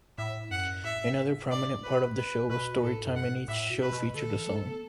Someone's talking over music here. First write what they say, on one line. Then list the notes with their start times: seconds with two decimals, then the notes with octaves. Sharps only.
Another prominent part of the show was story-time and each show featured a song.
0.18 A2 E5
0.51 F#2 F#5
0.84 A2 E5
1.51 D5
1.83 B4
2.16 B2 B4
2.50 B2 B4
2.82 A2 A4
3.05 F#2
3.16 F#5
3.27 A2
3.48 A2 E5
3.70 B2
3.82 B4
3.92 B2
4.15 D3 A4
4.32 E3
4.47 A3
4.65 B3